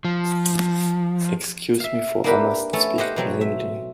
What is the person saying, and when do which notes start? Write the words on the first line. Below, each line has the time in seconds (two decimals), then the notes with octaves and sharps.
Excuse me, for I must speak plainly.
0.05 F3
1.80 E5 F5
2.24 A#3 D4 E4 G4 A#4 B4
2.73 A3 B3 C#4 A4
2.98 G4 C5 D#5 F#5
3.16 B2 F#3 C4
3.41 E5